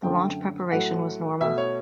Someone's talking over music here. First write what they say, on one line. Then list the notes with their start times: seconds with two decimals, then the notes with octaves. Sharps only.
The launch preparation was normal.
0.03 F#2 D3 A3 G5
0.72 A2 F#3 A3 F#5
1.41 B2 A3 E5
1.58 C#5